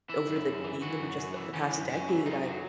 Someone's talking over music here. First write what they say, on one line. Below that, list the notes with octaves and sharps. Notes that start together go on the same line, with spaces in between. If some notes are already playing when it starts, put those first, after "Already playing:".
over the even just the the past decade, I've
E3 E4
F#2
F#2
E3
E3 F#4
F#2
F#2
E3
E3 C#4
F#2
F#2 C#4
E3
F#2 D#4
F#3